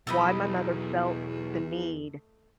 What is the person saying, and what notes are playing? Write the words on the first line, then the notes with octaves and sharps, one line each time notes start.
why my mother felt the need
B1 E2 A3 D#5 B5